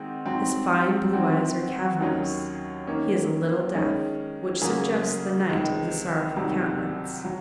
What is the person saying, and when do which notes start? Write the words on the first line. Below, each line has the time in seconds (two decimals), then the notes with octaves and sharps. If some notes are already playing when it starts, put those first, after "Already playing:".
His fine blue eyes are cavernous; he is a little deaf, which suggests the Knight of the Sorrowful Countenance.
Already playing: D#3 G#3 C4 D#4 F#4
0.26 G#2 F#3 C4
1.13 D#3 F#3 C4 F#4
2.00 D#2 D#3 F#3 C#4
2.87 D#3 A#3 C#4
3.74 D#3 G#3 C#4
4.61 C#3 F#3 A#3 F4 G#4
5.49 C#2 C3 D#3 G#3
6.36 C2 C3 D#3 F#3
7.25 F#3